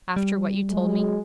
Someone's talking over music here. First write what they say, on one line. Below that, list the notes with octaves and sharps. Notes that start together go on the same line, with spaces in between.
After what you told me?
G3
F#3 G#3